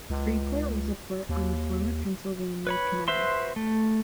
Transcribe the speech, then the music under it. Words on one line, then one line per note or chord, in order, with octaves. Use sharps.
Freeport was a port on the former Pennsylvania Canal.
C#2
D#2
B4 C#5 B5
F#4 B4 C5 E5 C6
A3